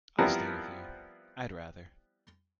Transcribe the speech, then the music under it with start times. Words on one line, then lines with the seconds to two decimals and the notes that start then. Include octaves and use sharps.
I'll stay with you; I'd rather.
0.18 F3 G3 B3 C4 E4 A#4